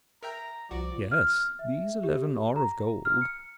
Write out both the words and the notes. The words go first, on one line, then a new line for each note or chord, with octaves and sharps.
Yes, these eleven are of gold.
A#4 E5 G5 A#5
C2 F3 F#4 D5 D6
F6
E5
G4
A#5
F6
C#7